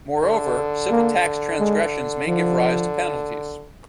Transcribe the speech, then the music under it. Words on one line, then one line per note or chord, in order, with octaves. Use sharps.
Moreover, civil tax transgressions may give rise to penalties.
D3
A#3
G#3
D3 F3